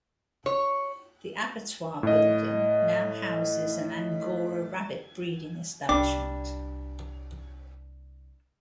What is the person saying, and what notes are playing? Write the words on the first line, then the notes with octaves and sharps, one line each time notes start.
The abattoir building now houses an angora rabbit breeding establishment.
C#5
A2 D#5
C2 G3 D4 D6